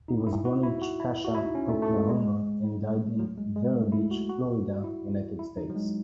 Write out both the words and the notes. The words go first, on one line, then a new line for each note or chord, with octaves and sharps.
He was born in Chickasha, Oklahoma and died in Vero Beach, Florida, United States.
D#4
E4
F#4
E4
F#4
E4
F#4
E4
D#4
C#4
A3
A3
G#3
G#3
F#3
G#3
G#3
A3
E4
F#4
F#4
E4
E4
D#4
F#3
G#3